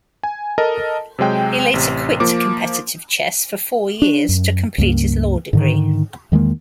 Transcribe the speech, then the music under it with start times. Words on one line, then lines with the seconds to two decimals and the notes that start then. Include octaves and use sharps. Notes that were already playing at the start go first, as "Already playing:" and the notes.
He later quit competitive chess for four years to complete his law degree.
0.23 G#5
0.58 A4 A#4 D#5 A5
1.19 C3 F#3 G#3 G5
1.74 A1 C3
2.20 F3 A#3 D6
4.02 D4
4.29 F#2
4.78 C#2 G2 A#3
5.53 G#2 D3 D#3
6.32 E2 D#3 G#3 A#3